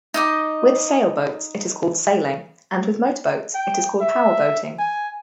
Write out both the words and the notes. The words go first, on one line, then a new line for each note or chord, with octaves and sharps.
With sailboats, it is called sailing, and with motorboats, it is called powerboating.
D#4 D#5 D6
G5
E5
G#5